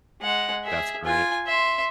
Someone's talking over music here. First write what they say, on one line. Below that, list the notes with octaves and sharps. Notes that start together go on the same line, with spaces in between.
That's great.
G#3 F#5
G#4 E5
F4 G#5
E5 C6